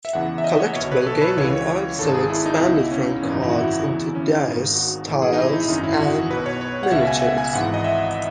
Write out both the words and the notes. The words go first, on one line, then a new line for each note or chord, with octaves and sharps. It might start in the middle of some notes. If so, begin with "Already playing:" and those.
Collectible gaming also expanded from cards into dice, tiles, and miniatures.
E5
E2 C#3 E3 F#5
E5
D#5
C#5
B1 B2 C#5
B4
A4
B4
C#2 C#3 E3 C#5
G#1 G#2 D#3 A4
G#4
E4
D#4
C#2 B2 E4
D#4
C#4
D#4
G#1 F#2 C#3 E3
D#4
E4
F#4
E4
E2 C#3 E3
C#4
D#4
G#1 G#2 D#3
F#4
B1 A2 E3
G#4
D#4
E4
E4
D#4
E4
G#1 F#2 D#3 D#4
E4
F#4
B1 B2 B4
C#5
C#5
F#5
C#2 B2 E5
G#5
E5
F#5
G#5
G#1 G#2 E3 F#5
D#5
E5